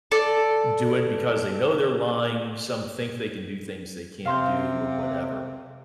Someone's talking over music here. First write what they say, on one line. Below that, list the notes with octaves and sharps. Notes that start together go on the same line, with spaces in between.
do it because they know they're lying, some think they can do things they can't do or whatever,
A4 D5
C3 F5 C6 G6